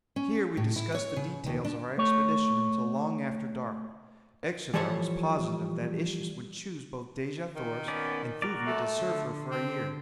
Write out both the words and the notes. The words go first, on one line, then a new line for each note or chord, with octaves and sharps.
Here we discussed the details of our expedition until long after dark. Xodar was positive that Issus would choose both Dejah Thoris and Thuvia to serve her for a year.
C#4
A2
E4
C#5
C#3
D#2
D4
A3 C#5
E3 F3 G3 A4 C5 C#5
D#3
B3 C#4 D5
F#4 A#4 D5
A3
D3
C4